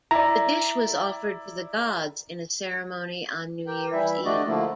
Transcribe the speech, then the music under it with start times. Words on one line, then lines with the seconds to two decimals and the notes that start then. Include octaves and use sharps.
The dish was offered to the gods in a ceremony on New Year's Eve.
0.11 E4 D5 A#5
3.67 G4 A#4 G5
3.92 E3 G3 E4 E5
4.25 A3 D4 F#4 G4 D5 D#5
4.47 D3 F3 A3 A#3 E4